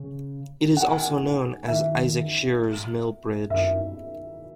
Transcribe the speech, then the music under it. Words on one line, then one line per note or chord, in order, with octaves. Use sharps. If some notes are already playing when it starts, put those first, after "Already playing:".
It is also known as Isaac Shearer's Mill Bridge.
Already playing: C#3
F#5
G#5
F#5
D#3 E5
F#2 E5